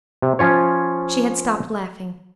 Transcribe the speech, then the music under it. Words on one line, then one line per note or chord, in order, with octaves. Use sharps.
She had stopped laughing.
C3
F3 C#4 F4 C#5